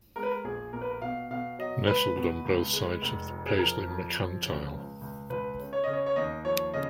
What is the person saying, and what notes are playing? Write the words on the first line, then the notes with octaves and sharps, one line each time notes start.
Nestled on both sides of the Paisley Mercantile.
G#3 A#4
B4
A#4
A#1 G#4
A#1 A#4
B4
A#4
B2 F5
B2 F5
F#3 D#5
C#2 B4
B2
C#2
G#3
F1
F2
G#4
F3 A#4
F2
F3
C#3
C#2
C#2
C#2 B4
C#3
C#5
C#3 D#5
C#5
C#5
D#2 D#5
F3 C#5
C#3 D#5